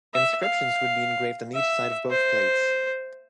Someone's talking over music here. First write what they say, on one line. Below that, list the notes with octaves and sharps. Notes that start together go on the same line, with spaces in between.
Inscriptions would be engraved on each side of both plates.
E5
F5
E5
C5